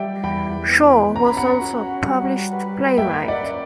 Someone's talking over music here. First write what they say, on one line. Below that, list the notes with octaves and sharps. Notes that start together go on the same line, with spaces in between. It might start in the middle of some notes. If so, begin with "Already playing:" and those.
Shaw was also a published playwright.
Already playing: G3 D5 E5 F#5 G5
E2 G5 B5
B3
C#4 A#5
B5
F#5 A#5
F#4
G3
B4
A#3 E5 G5
D5 F#5
C#4